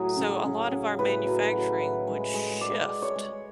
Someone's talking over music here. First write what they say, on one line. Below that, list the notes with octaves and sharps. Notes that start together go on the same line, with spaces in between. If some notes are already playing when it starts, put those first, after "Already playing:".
so, a lot of our manufacturing would shift.
Already playing: A2 F#3 G#4
C#3
C#3
C#3
A2 B4
F#3
F#3
A2
G#3
G#3
G#3 D5
G#3
C#5
G#3